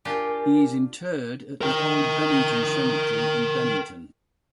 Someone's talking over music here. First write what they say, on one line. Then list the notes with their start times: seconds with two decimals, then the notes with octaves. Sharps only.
He is interred at the Old Bennington Cemetery in Bennington.
0.05 D4 F4 G4 A#4 G#5
1.61 A#4 G5